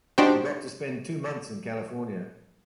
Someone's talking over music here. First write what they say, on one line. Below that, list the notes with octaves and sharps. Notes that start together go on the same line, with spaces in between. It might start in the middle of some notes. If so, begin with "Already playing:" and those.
We got to spend two months in California.
D4 D#4 F#4 G4 C5